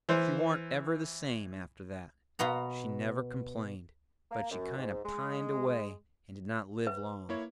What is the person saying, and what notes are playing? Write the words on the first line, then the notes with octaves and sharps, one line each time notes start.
She warn't ever the same after that; she never complained, but she kinder pined away and did not live long.
E3 C5
B2 B3 A#5
A#3
F#2
G#2
G#3
B4
A#3 E4 C#5